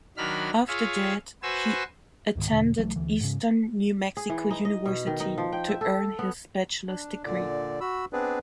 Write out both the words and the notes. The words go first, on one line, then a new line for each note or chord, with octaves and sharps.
After that he attended Eastern New Mexico University to earn his Bachelor's Degree.
D#3 F#3 D4 B5 F6
F4 G#4 C#5 E5 F5
F#4 B4 C5 G#5 E6
C#2 G#2 D#3
E2 B2 D3
B1 E3 F#3 A3
D2 E3
G#2 C#3
G#4
E3
D#4
D#5
B2
D#3
D#4
F3
G5
E5
A4
B3
D4
A#2 D3 D5
F#4 B5 E6
B3 C4 D4 G#4 B4 D5